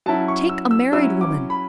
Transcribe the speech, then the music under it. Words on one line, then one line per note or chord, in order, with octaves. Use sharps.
Take a married woman.
F#3 C#4 E4 A5
C#6
E6
E6
F#3 C#4 E4 E6
D6
B5